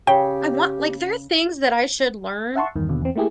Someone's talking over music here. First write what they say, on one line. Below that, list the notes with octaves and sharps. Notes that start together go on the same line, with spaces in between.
I want, like there are things that I should learn,
C#3 G4 G5
E5 F#5 A5 C6 C#6
E2 G2 D#3
D#2 B2 D3
E2 C4
A3 A#3 E4 G4 G#4